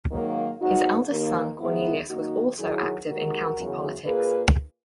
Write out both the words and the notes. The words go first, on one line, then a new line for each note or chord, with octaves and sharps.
His eldest son Cornelius was also active in county politics.
G#2 D#3 F#3 A#3
G#2 F#3 B3 D#4 F#4
D#2 D#3 A#3
G#2 D#3 F#3 B3 E4 G#4
F#2 D#3 A#3 D#4 F#4
F#2 D#3 F#3 E4 G#4
D#2 D#3 G#3 F#4 A#4
E2 C#3 F#3
A#2 A#3 G#4 B4